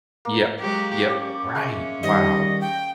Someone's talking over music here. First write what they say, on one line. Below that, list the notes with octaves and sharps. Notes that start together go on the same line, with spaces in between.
Yep, yep. Right. Wow.
A#3
F#3 G#3 G4
C#4 G4 D5
G#3 E5 C#6
D#3 G3 D#5
G5